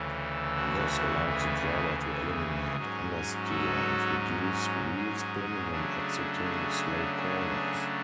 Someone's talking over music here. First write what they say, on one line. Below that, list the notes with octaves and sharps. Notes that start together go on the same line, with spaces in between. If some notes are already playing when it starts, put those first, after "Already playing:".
This allowed the driver to eliminate understeer and reduce wheelspin when exiting slow corners.
Already playing: D2 C#3 E3 A3
F#4
G#4
G#4
G#2 F#3 C#4
F#4 A4
G#4
C#3 F#3 A3 D4
G#4
G#4